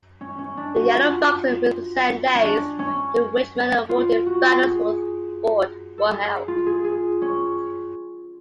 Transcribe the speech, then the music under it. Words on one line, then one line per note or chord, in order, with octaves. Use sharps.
The yellow boxes represent days during which medal-awarding finals for a sport were held.
C#4
C#4
D4
F#4
F4
C#4
D4
C#4
F4
F#4
G#4
A4
G#4
F4
G#4
G#4
C#4